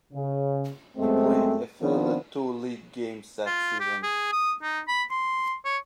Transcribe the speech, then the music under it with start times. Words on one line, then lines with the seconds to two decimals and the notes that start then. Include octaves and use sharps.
He played a further two league games that season.
0.13 C#3
0.97 F#2 G#3 A3 B3 C4
1.82 D#3 F3 B3 C4 D4
3.46 F4
3.80 G4
4.03 G#4
4.32 D#6
4.62 D#4
4.88 B5
5.11 C6
5.65 C#5